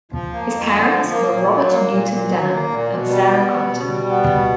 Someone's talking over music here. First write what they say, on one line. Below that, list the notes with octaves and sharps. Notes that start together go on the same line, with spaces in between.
His parents were Robert Newton Denham and Sarah Compton.
F3
A#3
F2
D3
F3
A#3
A#2
F#3
A#3
A#2
A#2
F#3
A#3
A#2
B2
G3
B3
B2
B2
G3
B3
B2